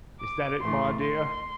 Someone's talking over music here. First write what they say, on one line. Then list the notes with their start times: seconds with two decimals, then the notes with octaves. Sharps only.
Is that it, my dear?'
0.20 D6
0.60 A2 E3 A3 C6
1.00 C6